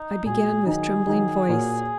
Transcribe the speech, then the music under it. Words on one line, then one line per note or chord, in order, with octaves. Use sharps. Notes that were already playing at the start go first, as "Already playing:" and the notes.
I began with trembling voice.
Already playing: D#4
A#2 G#3 F#4 G#4
D#3 F#3 D#4 G#4
D#3 F#3 D#4
A#2 A#3 F#4 C#5